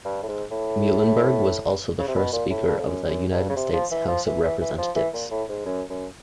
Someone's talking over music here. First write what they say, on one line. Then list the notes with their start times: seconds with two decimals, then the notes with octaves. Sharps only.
Muhlenberg was also the first Speaker of the United States House of Representatives.
0.05 G2
0.23 A2
0.28 G#2
0.51 A2
1.99 C#3
2.08 C3
2.15 B2
2.33 A#2
2.51 A2
2.67 G2
2.79 F2
2.85 F#2
3.09 F#2
3.32 G2
3.49 C#3
3.56 C3
3.73 F3
3.91 E3
4.08 F3
4.26 E3
4.43 E3
4.61 E3
4.78 F3
4.96 E3
5.14 A#2
5.31 A2
5.49 G#2
5.66 F#2
5.90 F#2